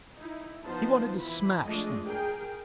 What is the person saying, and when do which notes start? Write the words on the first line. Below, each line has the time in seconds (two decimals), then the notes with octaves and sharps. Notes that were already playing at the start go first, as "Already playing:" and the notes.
He wanted to smash something.
0.17 D#4 E4
0.66 F3 B3 D#4 C5 A5
1.18 E3 E4 B5
1.65 F3 G#3 A3 D4 G#4 D#5
2.05 G#4 A#4 G5